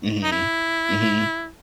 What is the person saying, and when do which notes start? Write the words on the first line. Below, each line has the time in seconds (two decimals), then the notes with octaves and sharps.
Mhm, mhm.
0.23 D#4
0.32 E4